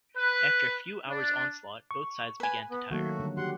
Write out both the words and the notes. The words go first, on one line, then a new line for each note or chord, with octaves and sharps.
After a few hours' onslaught, both sides began to tire.
B4
D4
C#6
B4 G#5
B3
D#3 F#3 A3 A#3 F#4
D3 G3
F#4 G4 F#5 C6